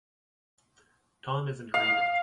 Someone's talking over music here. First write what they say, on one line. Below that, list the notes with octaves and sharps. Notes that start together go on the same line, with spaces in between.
Tom isn't grieving.
F5